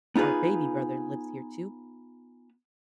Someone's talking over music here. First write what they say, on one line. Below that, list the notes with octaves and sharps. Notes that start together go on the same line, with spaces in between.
our baby brother lives here too.
B3 D#4 F4 G#4 B4